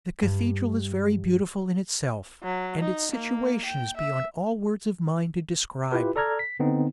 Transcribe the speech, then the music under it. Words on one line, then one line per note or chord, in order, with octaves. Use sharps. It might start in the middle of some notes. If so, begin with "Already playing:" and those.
The cathedral is very beautiful in itself, and its situation is beyond all words of mine to describe.
G2
F#3
D#4
A#3
G5
E5
E4 F4 G4 B4
A4 D5 A#5 F6 G#6
B6
D3 B3 C4 D#4